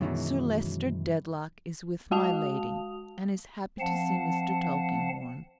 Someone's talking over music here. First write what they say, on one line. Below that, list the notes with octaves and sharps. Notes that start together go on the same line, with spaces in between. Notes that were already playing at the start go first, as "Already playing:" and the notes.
Sir Leicester Dedlock is with my Lady and is happy to see Mr. Tulkinghorn.
F#2 B2 D#3 E3 F#3 G#3
G#3 F#4 F5 A5 D#6 F7
F3 C4 F5 F#5 A5